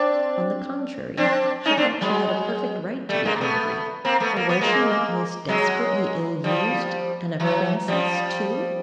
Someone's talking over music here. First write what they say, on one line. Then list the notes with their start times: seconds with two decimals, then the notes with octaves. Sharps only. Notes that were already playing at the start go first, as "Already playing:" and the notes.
On the contrary, she thought she had a perfect right to be angry, for was she not most desperately ill used--and a princess too?
Already playing: C4 D4
1.17 C4 D4
1.65 C#4 D#4
1.77 C4 D4
2.01 F#3 G#3
3.09 G3 A3
3.25 G#3 A#3
3.36 A#3
3.41 A3 B3
4.05 A#3 C4
4.20 A3 B3
4.37 A#3
4.49 B3
4.61 G#3 A#3
5.49 F#3 G#3
6.44 F3 G3
7.40 E3 F#3
7.88 F3 G3